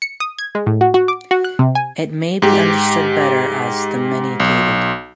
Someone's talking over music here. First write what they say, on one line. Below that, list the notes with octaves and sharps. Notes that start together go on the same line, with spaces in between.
It may be understood better as the "Many Gated".
C#7
D#6
G#6
G#3
A2
F#4
F#4
D6
F#4
F#6
C3
G#5
G#2 G4
B1